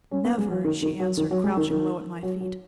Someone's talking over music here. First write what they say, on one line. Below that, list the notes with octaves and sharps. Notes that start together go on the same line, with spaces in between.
"Never!" she answered, crouching low at my feet.
C#4
B3
G#3
F#3
D#3
D#3
F#3
D#3
F#3
G#3
D#3
D#3
F#3
F#3